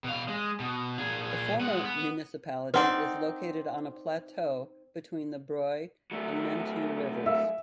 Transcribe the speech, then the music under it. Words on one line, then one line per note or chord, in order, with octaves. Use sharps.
The former municipality is located on a plateau between the Broye and Mentue rivers.
B2 F5
G#3
B2
A#2 G#4
G#3 F#5
B3
C4 D#4 B4 D5 F#5
F#3 A3
E5 F5 E6